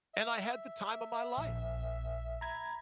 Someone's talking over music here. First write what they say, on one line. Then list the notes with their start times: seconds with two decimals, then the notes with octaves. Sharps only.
and I had the time of my life.
0.14 E5
1.38 A#1
2.41 A#5 B5 G#6